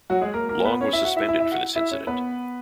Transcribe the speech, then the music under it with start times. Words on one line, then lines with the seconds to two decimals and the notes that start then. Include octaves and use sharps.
Long was suspended for this incident.
0.10 F#3 F#4
0.21 G#3 G#4
0.34 A#3 A#4
0.49 A#3 A#4
0.65 B3 B4
0.81 C#4 C#5
0.93 E4 E5
1.05 F#4 F#5
1.16 E4 E5
1.28 E4 E5
1.40 E4 E5
1.52 F#4 F#5
1.76 E4 E5
1.91 C#4 C#5
2.07 B3 B4